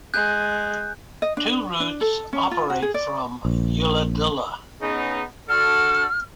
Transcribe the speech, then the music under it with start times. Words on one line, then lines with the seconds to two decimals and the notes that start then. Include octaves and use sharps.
Two routes operate from Ulladulla.
0.14 G#3 F#6 G6
1.22 D#5
1.37 D4
1.80 D4
2.01 A4
2.33 C#4
2.51 F4
2.70 F#4
2.82 G#4
2.94 D5
3.45 A#1
4.82 C#3 B3 D#4
5.49 D3 F#4 A4 F6